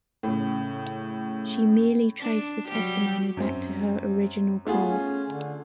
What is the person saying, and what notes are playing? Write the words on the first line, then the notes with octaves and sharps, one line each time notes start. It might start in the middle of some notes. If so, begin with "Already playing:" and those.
She merely traced the testimony back to her original core.
A2 C#3
D4
F#3 G3 G4
F#2 C4
A3 B3 F4 G#4
C#4
D3